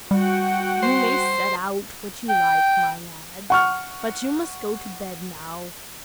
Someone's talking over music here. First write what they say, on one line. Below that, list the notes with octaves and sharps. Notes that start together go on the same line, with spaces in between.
"You may set out what you like, my lad, but you must go to bed now."
G3 F#4 F#5 G5
C5
G5
F#5 C#6 F6